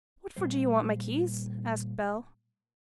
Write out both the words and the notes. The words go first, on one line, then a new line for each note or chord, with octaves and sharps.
'What for do yo' want my keys?' asked Bell.
A#2 G3 C5